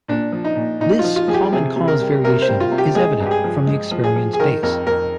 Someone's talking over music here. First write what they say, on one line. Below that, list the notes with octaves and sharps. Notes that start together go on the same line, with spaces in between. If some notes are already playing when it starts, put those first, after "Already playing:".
This "common-cause variation" is evident from the experience base.
A#2 D4
F3
D#4
A#2
A#2 D#4
F4
F3
F4
F3 G#4
G4
C3 G#4
C3
A#4
G3
C3 A#4
C5
G3
F4
C3
G4
G#3 G#4
G2
G4
G#4
F3
G#3
F3
G#4
F3
G#4
D#3 A#4
F2 A#4
F2 A#4